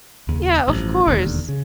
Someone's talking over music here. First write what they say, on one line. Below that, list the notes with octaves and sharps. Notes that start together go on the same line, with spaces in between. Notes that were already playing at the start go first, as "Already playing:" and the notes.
Yeah, of course,
F1 D#2 C#3
A1 G2 D3 F3
E1 D#2 D3
C#3